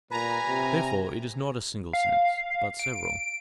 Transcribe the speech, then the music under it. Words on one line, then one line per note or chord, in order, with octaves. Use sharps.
Therefore it is not a single sense but several.
A#2 G3 B4 G#5 A#5
C3
F5
D7